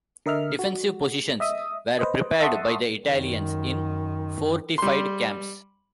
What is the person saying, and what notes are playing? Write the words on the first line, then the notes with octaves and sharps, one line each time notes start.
Defensive positions were prepared by the Italians in fortified camps.
D3 A#4 D#5 E5 F6
F#4
D#5 E5 D#6
B4 C5 D#5
E5 F#5 A5 C6 C#6 D#6
F#2 D#3
G3 C6